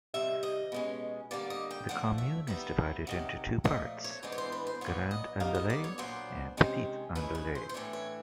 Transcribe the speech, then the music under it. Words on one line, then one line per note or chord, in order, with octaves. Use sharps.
The commune is divided into two parts, Grand-Andely and Petit-Andely.
C3 D#3 G3 E5
D#5
B2 G#3 C#4
D3 G3 A#3 D5
D#5
G5
A2 F3 A3 D4 F#5
E5
D#3 G3 B3 E5
C3 D#3 F#3
A#2 F3 A3 D#5
C#5
E3 G#3 B3 D4 C5
C#5
C5
B4
C5
A#2 F#3 B3 C#5
D#5
D3 G3 B3 D#4 F5
D#5
D5
C#5
A#2 F#3 B3 D4 C5
C3 D#3 G#3 C#4
D#3 G#3 C#4 E4 B4
B4
C5
C5
A2 E3 A3 D4 C#5
C#5